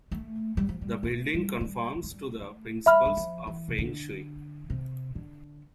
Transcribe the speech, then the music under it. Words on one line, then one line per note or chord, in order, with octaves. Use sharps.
The building conforms to the principles of feng shui.
A3
G3
F3
G3
A3
G3
A3
G3
G3
A3
G3
A3
G3 E5 B5 F6
G3
F3
E3
C3
D3
C3
D3